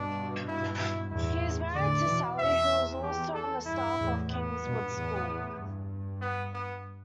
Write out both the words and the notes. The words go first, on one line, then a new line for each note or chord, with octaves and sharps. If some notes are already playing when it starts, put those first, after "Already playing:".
He is married to Sally, who was also on the staff of Kingswood School.
Already playing: G2 B2 D4
E4
E4
E2 A2 E4
A2 D3 D5
B2 E3
E2 E5
G4
A4
G2 E4
E2 A2
B3
G2 B2
E2 A2
G2
B3
B3